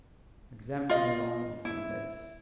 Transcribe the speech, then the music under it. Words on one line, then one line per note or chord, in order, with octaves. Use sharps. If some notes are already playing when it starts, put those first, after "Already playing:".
Exempt me only from this!
F4 D#5
E4